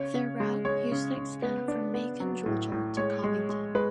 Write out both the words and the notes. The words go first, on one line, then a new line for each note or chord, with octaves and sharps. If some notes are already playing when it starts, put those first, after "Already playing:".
Their route used to extend from Macon, Georgia to Covington.
Already playing: C#3 C#5
C#3
G#3
G#3 C#5
C#3
C#3
B3
D4
B3
F#3
A2
A2
G#3 C#5
G#3
G#3
G#3 B4